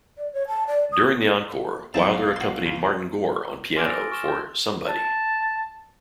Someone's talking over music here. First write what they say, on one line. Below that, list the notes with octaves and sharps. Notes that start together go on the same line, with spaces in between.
During the encore, Wilder accompanied Martin Gore on piano for "Somebody".
D5
C#5
A5
D5
D#6
D#3 F#3 C4 D#4 E4 F5 A5
B1
F#4 C6
C#2
G#5 C6 D6 F6 A#6 D7
E6 A6
C#6 F6 E7 G7
C6 G6
A5